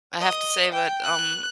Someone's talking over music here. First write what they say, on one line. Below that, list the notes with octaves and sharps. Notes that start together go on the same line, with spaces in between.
I have to say that, um,
D#5
G5
F#6